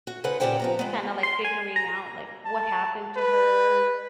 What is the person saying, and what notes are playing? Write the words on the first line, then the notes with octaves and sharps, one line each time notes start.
kind of, like, figuring out, like, what happened to her
F#4
C#3 D#4 B4 C5 F#5
A#2 C#3 G4 C5 F#5 G5
F3 B3 A#5
G#3 B3
C6
G#5
A#5
A5
B4